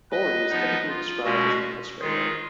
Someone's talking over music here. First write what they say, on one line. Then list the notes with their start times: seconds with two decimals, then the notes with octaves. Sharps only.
Gorey is typically described as an illustrator.
0.11 B4 D#5
0.49 F3 B3 D#4
0.87 F4
1.24 B2 G#3 C#4 F#4
2.00 D#3 G#3 D#4 F4 G#4